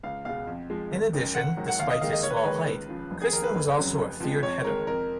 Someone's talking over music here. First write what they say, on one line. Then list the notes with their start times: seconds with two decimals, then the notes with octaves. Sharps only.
In addition, despite his small height, Kirsten was also a feared header.
0.03 C#2 F5
0.25 B2 G#3 F5
0.47 F2
0.70 F3 G#3
0.91 G#1
1.13 F#2 D#3
1.35 G#1 F#5
1.57 G#2 D#3 F#3
1.68 F#5
1.79 D#2 F5
1.90 D#5
2.01 D#3 G#3 F5
2.13 D#5
2.23 D#2 C#5
2.30 B4
2.37 C#5
2.45 D#3 G#3 B4
2.68 C#2
2.89 C#3 F3
3.11 F1
3.22 G#4
3.32 D#2 D#3 A#4
3.44 B4
3.55 F#1
3.77 F2 C#3 F#3
3.99 F1
4.20 F2 F3 G#3
4.43 F2 C#5
4.64 D#3 G#3 A#4
4.87 F2 A#4